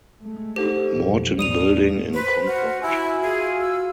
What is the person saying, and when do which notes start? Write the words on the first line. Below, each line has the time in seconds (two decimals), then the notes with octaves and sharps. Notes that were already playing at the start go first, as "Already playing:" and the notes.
Morton Building in Concord.
0.21 G#3 A3
0.56 D#4 G4 A4 C5
0.94 B1 F2 G#2
1.39 E2 A2 A3 D5 D#6 D#7 F7
2.14 B4 C5
2.46 F#4 F6
2.82 E4 F#4 G#5
3.22 F4 G#4
3.61 E6